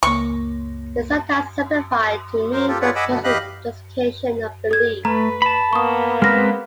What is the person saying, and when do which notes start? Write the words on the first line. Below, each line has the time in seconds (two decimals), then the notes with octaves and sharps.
It is sometimes simplified to mean a social justification of belief.
0.03 C#2 A#3 C#6
2.52 F#3 A#4 C5
2.68 A#3 F4 G4 A4
2.81 F4 G#4 B4 C#5 D5 F#5
2.96 D#5 F#5 G#5 B5 D6 E6
3.08 F#2 B2 D3 A3 B3
3.24 E2 G4 D#5 F5 B5 F#6
4.71 A4 G#6
5.05 A3 B4 A#5
5.42 A5 B5
5.73 A#3 B3 C#6 D#6
6.22 G#3 C4 B4 F6 A#6